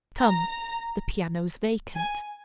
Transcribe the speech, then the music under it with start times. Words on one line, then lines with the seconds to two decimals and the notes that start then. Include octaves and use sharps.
Come! the piano's vacant.'
0.19 A#5
1.97 G#5